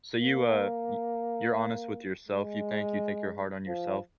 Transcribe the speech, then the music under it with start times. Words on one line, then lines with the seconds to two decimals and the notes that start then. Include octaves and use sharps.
So you, uh, y you're honest with yourself, you think you think you're hard on yourself?
0.20 A#3
2.28 G#3
3.67 F3